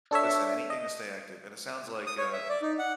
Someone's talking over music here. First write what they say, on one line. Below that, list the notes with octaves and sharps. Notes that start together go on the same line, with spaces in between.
listen, anything to stay active, and it sounds like, uh
D4 A4 C#5 E5
D#5
D#6
C#5
E5
D5
D#4
F#5